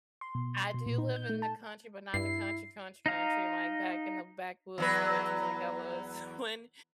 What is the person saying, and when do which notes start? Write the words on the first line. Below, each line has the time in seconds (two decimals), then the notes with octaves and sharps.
I do live in the country, but not the country, country, country, like, back in the backwoods countries like I was when
0.21 C6
0.35 B2
0.57 C6
0.74 B2
0.86 A#2
0.98 D#4
1.16 G6
1.29 A3
1.42 A5
2.14 G2 E4 C7
3.06 D#4 D#5 F5 A#5
4.78 E2 F#3 B4